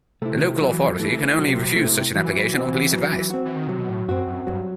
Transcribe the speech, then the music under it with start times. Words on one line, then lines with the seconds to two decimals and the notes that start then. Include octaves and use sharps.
The local authority can only refuse such an application on police advice.
0.22 C3 A3 E4
0.32 D#3
0.43 C3
0.61 E3 F#3
0.99 E3 A3 E4
1.38 C3 F#3
1.68 B2
1.76 C3 A3 E4
2.15 E3 F#3
2.54 C4 F#4
2.92 F#3
3.30 C4 F#4
3.45 E3
3.56 D#3
3.67 C3 F#3
3.78 B2
3.89 A2
4.08 F#2 C4 F#4
4.27 F#2
4.46 G2 F#3